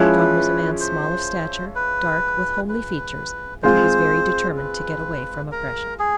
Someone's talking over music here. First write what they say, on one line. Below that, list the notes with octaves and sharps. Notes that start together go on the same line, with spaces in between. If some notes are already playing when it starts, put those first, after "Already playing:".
John was a man small of stature, dark, with homely features, but he was very determined to get away from oppression.
Already playing: F3 G#3 C#4 E4 B4
C5
B4
B4
G#3 C4 F4 C5
B4
A#4
G#4